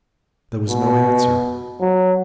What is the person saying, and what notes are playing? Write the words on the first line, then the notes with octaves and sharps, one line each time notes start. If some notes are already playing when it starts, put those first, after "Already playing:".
There was no answer.
B2
F#3